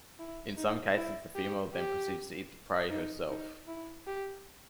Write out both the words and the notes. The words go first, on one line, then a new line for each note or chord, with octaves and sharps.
In some cases the female then proceeds to eat the prey herself.
E4
D#4
E4
G4
G4
D#4
D#4
E4
G4